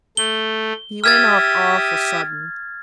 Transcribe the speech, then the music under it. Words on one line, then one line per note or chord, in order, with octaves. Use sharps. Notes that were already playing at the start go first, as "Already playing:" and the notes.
He went off awful sudden.
A3 G7
G4 E5 D#6 F6 G#6 A6